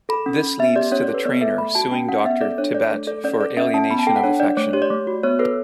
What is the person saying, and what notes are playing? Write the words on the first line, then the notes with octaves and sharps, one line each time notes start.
This leads to the trainer suing Doctor Tibbett for alienation of affection.
A4 B5
C#4
C#4
B3 E5
G4 D5
C#4 C#5
A4 D5
B4
B3 D5
A4 E5
A3 B5
F#4 A5
C#4 G5
C#4 F#5
B3 E5
A4 D5
D4 C#5
A4 D5
A3
A4 D5
C#4 D5
A4 D5
C#4 E5
C#4 A5
B3 B5
A5
A4 G5
F#5
D4 C#5
D4 D5
A3 C#5
G4 C#5
D5
A3
F#4
B3 C#5
A4 B4